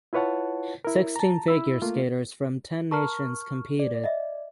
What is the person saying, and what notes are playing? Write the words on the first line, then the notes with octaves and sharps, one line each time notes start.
Sixteen figure skaters from ten nations competed.
E4 F4 B4 C#5 F#5 A5
E4 A#4
A5 A#5
E4 B5 E6
A3 A#3 F4
A#4 A5 A#5 C#6 F6
D5
D#5 E5